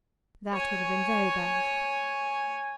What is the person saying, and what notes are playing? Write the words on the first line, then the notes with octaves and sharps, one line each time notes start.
"That would have been very bad."
C#5 G#5